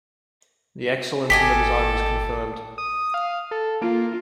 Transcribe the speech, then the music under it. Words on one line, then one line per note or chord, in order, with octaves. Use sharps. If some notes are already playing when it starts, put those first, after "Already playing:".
The excellence in the design was confirmed.
G#1 G4 A4 D#5 G#5 B6
D#6
F5
A4
A#3 F4